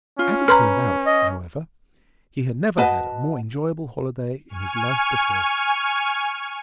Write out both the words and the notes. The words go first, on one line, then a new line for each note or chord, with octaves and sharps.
As it turned out, however, he had never had a more enjoyable holiday in his life before.
C#4 F4
B4 A#5 C6 F6
D#5
F#4 B4 D#5 A5
G#5 C#6 F6